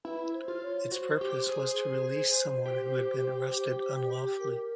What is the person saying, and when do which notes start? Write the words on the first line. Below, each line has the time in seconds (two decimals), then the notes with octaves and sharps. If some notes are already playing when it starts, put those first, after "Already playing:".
Its purpose was to release someone who had been arrested unlawfully.
0.05 E4 B4
0.33 C5
0.48 F4
0.63 C#5
0.92 F#4 C5
1.21 G4
1.49 G#4
2.66 G4
4.39 A#4